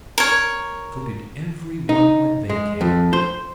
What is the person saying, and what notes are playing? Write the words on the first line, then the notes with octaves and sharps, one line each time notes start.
So did every one when they came.
A#4 C#5
D#4
G#3
F2
C5